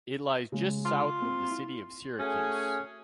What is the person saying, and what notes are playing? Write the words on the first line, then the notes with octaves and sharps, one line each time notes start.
It lies just south of the city of Syracuse.
C#3 G#3
F4
C4
E4
A3 C#4 F#4 G#4